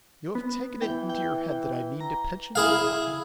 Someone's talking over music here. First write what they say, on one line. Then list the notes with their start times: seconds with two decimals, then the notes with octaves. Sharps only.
You have taken it into your head that I mean to pension you off.'
0.35 B3
0.82 E3 G5
1.09 G5
2.01 A#5
2.55 E4 G#4 F5